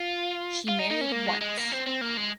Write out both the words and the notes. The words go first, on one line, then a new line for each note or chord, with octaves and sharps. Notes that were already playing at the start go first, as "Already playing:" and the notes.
She married once.
Already playing: F4
F4
D#4
D#4
C#4
A#3
G#3
G#3
A#3
C4
C4
A#3
G#3